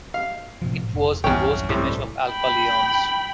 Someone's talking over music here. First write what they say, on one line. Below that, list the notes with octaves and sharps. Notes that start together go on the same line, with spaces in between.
It was a ghost image of Alpha Leonis.
F5
A2 C3 F3
F1
B1 E2 G2 C#4 G5
A2 C3 G3
G5 B5